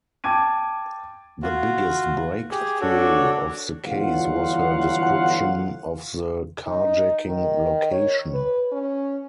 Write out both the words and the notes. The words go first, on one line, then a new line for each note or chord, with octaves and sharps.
The biggest breakthrough of the case was her description of the carjacking location.
G5 A5 D6 G#6 D#7
F4 F#4
G4 G#4
D4 F#4 A4 C#5
G1 E3 F#3 F4 F5 F#5
D#4
D#3
C#5
B4
C#4